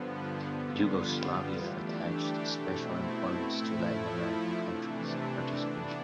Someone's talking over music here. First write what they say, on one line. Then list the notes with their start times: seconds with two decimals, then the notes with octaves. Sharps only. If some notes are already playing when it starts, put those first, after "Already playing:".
Yugoslavia attached special importance to Latin American countries participation.
Already playing: G2 D3 F3 B3
0.51 D3 G3 B3 F4
1.52 E3 A3 D4 G4
2.52 B2 A3 C4 E4
3.53 A2 F3 A3 E4
4.55 C3 E3 A3 D4
5.56 E3 B3 D4